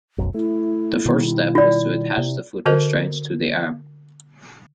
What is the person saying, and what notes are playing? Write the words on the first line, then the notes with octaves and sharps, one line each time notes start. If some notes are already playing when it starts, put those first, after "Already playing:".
The first step was to attach the foot restraints to the arm.
F1 B1 F#2
A3 E4
B2 D#3 G3
F4 D5
C3
D3 F#4 A#4 C5 D#5